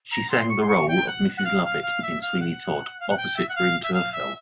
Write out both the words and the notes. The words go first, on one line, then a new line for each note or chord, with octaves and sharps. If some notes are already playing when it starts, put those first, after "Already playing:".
She sang the role of Mrs. Lovett in "Sweeney Todd" opposite Bryn Terfel.
A#5
C6
C#6
C6
C#6
G5
F#5
F#5
F5
F5
F5
E5
F5
F#5
F5
F#5
G5
E5
F#5
F5
E5
F5
E5